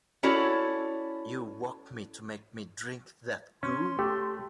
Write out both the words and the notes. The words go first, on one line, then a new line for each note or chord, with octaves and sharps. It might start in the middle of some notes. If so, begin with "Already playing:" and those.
You woke me to make me drink that goo.
C#4 E4 F#4 A4 C#5 D5
C#4 C6
A3 G4